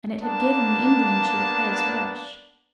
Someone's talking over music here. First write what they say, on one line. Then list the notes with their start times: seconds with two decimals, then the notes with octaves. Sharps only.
And it had given the Indian chief his wish.
0.21 A#3 B3 D4 A5